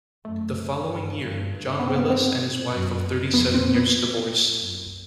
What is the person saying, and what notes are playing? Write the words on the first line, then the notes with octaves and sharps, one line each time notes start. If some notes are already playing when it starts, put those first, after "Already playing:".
The following year, John Willys and his wife of thirty-seven years divorced.
F#2 A3
G2
G2
G2
B3
C4
B3
C4
F#2
F2 B3
C4
B3
F#2